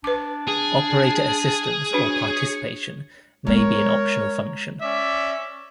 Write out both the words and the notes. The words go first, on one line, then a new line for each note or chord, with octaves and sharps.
Operator assistance or participation may be an optional function.
D4 B4 D6
G#4
D4 F#4 B4 C#5
G#3 B3 A#4 C#5
C#4 D5 E5